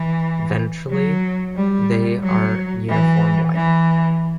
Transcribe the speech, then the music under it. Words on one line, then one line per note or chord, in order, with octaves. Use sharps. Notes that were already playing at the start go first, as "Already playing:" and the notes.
Ventrally they are uniform white.
Already playing: E3
F#3
G3
F#3
E3
E3